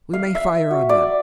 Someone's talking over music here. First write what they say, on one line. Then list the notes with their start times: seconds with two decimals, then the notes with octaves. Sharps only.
We may fire on them.
0.13 F5
0.35 E5
0.71 F#4
0.89 D5